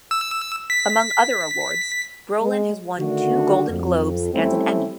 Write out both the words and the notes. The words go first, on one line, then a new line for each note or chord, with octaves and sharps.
Among other awards, Brolin has won two Golden Globes and an Emmy.
E6
B6
G#3
D3 D#3 A3 D4 F#4
F2
G3 A3 C4 C#4 E4 G4